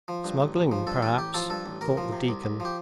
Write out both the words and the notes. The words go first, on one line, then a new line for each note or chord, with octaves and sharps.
"Smuggling, perhaps," thought the deacon.
F3
G2
A1
A1
F3
G2 A4
A1 A4
A1 G4
F3 A4
G2 A4
A1
A1 A#4
F3
C3
C2
C2
F3 G4